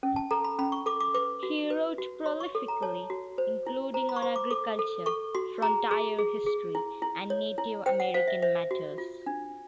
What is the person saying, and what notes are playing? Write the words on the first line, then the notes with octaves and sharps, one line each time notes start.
He wrote prolifically, including on agriculture, frontier history and Native American matters.
C#4
A5
A4 A#5
B5
C#4 B5
C#6
A4 D6
D6
B4 D6
F#4
B4
F#4
C#5 C6
C#6
A4
A#5
C#5 A5
F#4
C5
E4
C5 A#5
B5
C#6
C5 C6
D6
A4 D6
A4
A4 C#6
F#4 C6
G#4 A#5
G#4
G#4
G#4
E4
E4
C#5
E4
C5 G5
F#5
C5 F5
E5
C5 E5
F#4
F4
D4